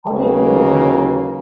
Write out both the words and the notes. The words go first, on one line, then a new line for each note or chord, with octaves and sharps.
How do you think the table looks?
D#2 C#3 F#3 A#3 B4